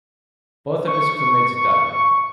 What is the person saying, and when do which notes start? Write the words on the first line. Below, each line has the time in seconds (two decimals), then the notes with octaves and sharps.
Both of his crewmates died.
0.87 C#6